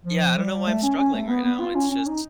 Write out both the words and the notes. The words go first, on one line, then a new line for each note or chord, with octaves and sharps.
yeah, I don't know why I'm struggling right now. It's just
F3
G3
A3
C#4
C#4
A3
B3
B3
F4
C#4
C#4
D#4